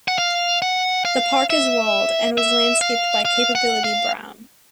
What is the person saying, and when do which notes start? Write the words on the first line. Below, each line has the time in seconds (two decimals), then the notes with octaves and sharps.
The park is walled, and was landscaped by Capability Brown.
0.08 F#5
0.18 F5
0.62 F#5
1.05 F5
1.50 E5
2.38 E5
2.81 F5
3.25 F5
3.55 F#5
3.84 F5